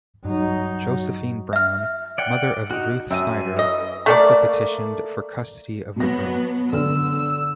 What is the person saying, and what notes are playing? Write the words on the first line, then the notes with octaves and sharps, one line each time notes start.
Josephine Brown, mother of Ruth Snyder, also petitioned for custody of the girl.
G2 F#3 D#4
E5 F6
D5 F#5 G5
D#4 F#4
F#2 C4 E5 D#7
E3 D#5
A3 A#3 D5
B2 F#3 B3 A#6
D3 E6 F6